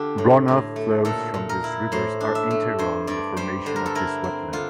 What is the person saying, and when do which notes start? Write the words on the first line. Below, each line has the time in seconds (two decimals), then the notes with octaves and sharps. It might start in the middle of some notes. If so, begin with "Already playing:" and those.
Runoff flows from these rivers are integral in the formation of this wetland.
Already playing: D3 D4 F4 G4 A4
0.18 A2
0.48 A2
0.76 A3
1.05 A#2 A4
1.34 A#2
1.49 A#4
1.64 E4
1.92 A2 C5
2.21 D4
2.35 E5
2.51 A3
2.79 G2 C5
3.07 G2 D5
3.37 G3 C5
3.66 D3 C5
3.76 A#4
3.86 A4
3.95 E4 A#4
4.24 C4
4.53 D3 F4